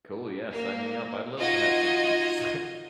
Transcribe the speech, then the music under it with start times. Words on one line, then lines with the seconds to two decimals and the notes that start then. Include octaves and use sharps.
Cool. Yeah, sign me up, I'd love to have some peace.
0.52 A#3
1.39 D#4 F4 F#4 D#5 G#6